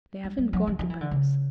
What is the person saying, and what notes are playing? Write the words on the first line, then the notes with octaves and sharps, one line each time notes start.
They haven't gone to Paris.
G3
G3
F#3
F3
F3
E3
D3
C#3